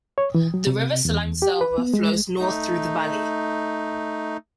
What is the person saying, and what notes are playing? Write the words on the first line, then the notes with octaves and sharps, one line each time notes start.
The river Salangselva flows north through the valley.
C#5
E3
F#3
C3
E2
G4
B4
B3
G#3
A3 D#4